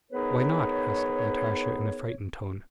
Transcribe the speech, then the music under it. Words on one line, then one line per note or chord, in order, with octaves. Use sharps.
"Why not?" asked Natasha in a frightened tone.
B3 D#4 G#4 A#4 B4 C#5